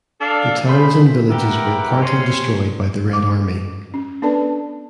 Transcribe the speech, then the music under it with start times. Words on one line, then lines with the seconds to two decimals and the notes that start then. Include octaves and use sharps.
The towns and villages were partly destroyed by the Red Army.
0.21 D4 A4 F5
0.68 A3 G#4 C5 B5
1.30 G4 A#4 B4 E5 F#5 G5
2.02 C3 C#4 C6
3.10 G#3 D6
3.94 C#4
4.22 B3 D4 A4 B4 D5 A5